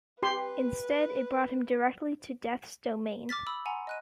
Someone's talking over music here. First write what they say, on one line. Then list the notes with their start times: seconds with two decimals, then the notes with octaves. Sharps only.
Instead it brought him directly to Death's Domain.
0.23 G4 B4 C6
3.29 D6 F6 A6 B6
3.47 B5 D#6 E6
3.66 F#5 G#5 A#5 C6
3.87 D#5 F#6 D#7